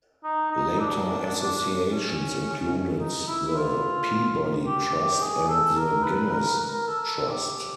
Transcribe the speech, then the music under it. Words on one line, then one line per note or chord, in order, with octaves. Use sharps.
Later associations included the Peabody Trust, and the Guinness Trust.
D#4
D#4
D4
C#4
D#4
E4
E4
F4
G4
G4
G#4
A4
A#4
B4
A#4
A#4
A4
A4
A4
G4